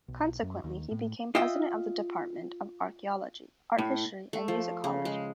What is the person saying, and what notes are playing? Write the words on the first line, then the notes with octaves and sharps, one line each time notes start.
Consequently, he became president of the Department of Archaeology, Art History, and Musicology.
B1
F#2
D#2
A2
F4 D#5 E5 G5
A2
A3
F3
C#3
G#3